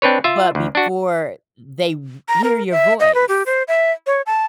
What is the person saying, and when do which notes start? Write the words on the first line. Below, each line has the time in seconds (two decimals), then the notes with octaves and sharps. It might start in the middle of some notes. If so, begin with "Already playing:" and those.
but before they r hear your voice.
0.02 C4 D4 B4 C#5
0.24 F4 E5
0.55 D2
0.75 D4 F#4
2.28 A#5
2.44 A#4
2.71 E5
3.00 D#5
3.15 B4
3.29 G4
3.46 C5
3.68 E5
4.07 C#5
4.26 A5